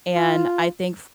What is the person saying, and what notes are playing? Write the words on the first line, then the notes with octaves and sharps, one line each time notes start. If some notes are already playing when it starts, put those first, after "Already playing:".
and I think f
F4